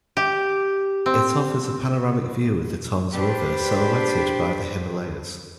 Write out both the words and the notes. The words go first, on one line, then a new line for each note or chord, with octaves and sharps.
It offers a panoramic view of the Tons River silhouetted by the Himalayas.
G4
C4
D4 G4 B4 C5